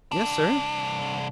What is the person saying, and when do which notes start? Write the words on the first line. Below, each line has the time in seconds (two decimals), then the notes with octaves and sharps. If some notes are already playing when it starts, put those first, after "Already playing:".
"Yes, sir."
0.12 C2 D4